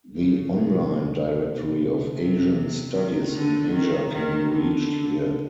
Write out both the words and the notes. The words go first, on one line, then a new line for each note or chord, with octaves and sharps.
The online Directory of Asian Studies in Asia can be reached here.
C#3
C3
B2
C3
D#3
D3
D#3
D#3
D3